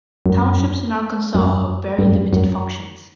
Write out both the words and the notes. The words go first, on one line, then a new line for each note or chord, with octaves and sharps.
Townships in Arkansas have very limited functions.
F#2
F#2
G2
F#2
F#2